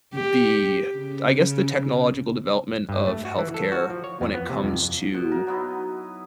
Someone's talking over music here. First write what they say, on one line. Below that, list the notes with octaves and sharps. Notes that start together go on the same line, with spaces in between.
the I guess, the technological development of health care when it comes to
G4
C#3
G2
A3
F#4
E3
A4
F#4
F3
C#5
F2
B3
C3
F2
B2
A#4
F#3 B3 D#4 E4